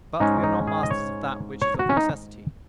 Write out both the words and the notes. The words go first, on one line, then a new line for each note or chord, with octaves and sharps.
But we are not masters of that which is of necessity.
G#2 G#3 C#4 D#4
D#4
G#4
D#5
C#5
C#5
F#4
C#4
D#4